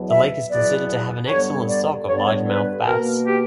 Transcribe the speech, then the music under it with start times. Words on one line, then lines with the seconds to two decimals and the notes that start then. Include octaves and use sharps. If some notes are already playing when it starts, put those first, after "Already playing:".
The lake is considered to have an excellent stock of largemouth bass.
Already playing: E2 B2 F#3 B3
0.10 E5
0.50 E2 B2 F#3 B3 D5
1.29 G2 D3 G3 B3 C#5
1.68 D5
2.08 G2 D3 G3 B3 C#5
2.16 D5
2.26 C#5
2.47 B4
2.86 B2 A#3 A#4
3.26 G4